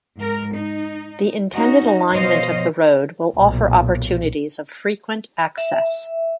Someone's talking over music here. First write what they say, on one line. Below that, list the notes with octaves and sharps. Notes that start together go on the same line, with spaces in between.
The intended alignment of the road will offer opportunities of frequent access.
G#2 A#4
D#4
C#4 D#4 F#4
B2 F3 C5 C#5 D#5 F5
B1 A#2
E5